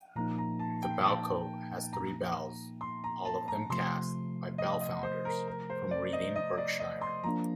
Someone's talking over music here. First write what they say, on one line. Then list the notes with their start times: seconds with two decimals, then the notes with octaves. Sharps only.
The bellcote has three bells, all of them cast by bellfounders from Reading, Berkshire.
0.16 A#2 F3 A#3 D#4 A#5
0.38 A#5
0.59 A5
0.83 G5
1.04 A5
1.93 A#5
2.81 C6
3.04 A#5
3.25 A5
3.48 A#5
3.70 C3 F3 A3 C6
4.58 D#5
4.81 D#5
5.03 C5
5.25 A#4
5.48 A#4
5.70 C5
5.91 D5
6.13 D#5
6.36 D#5
6.58 D5
6.80 D#5
7.01 C6
7.24 F3 A#3 D4 A#5